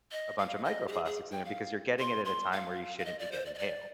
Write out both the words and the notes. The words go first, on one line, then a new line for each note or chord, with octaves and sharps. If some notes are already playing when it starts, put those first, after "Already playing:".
a bunch of microplastics in there because you're getting it at a time where you shouldn't be getting hail.
D#5
F5
D#5
G4
G#4
G#4
G5
F5
C6
C6
F5
F5
D#5
D5
C5
D5
D#5
D5